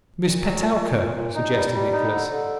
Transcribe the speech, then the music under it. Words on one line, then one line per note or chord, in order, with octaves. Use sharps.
'Miss Petowker,' suggested Nicholas.
A#2
F#3
A#2
A#2
A#2
A#2
D#4
G3
G3
D#4
D3
D3